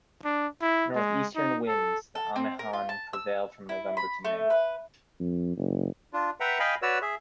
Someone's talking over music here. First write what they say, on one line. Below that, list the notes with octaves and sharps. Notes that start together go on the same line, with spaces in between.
Northestern winds, the amihan prevail from November to May.
D4
E4
G#3
D#4
A4
A4
C4
A#4
F4
A5
E6
E4
B5
A3
B4
F2
F#1
D4 F4
B4 E5 F#5 G5 A#5
D#5 F5 G5 G#5 B5
F#4 B4 C#5 D5 E6
G#4 E5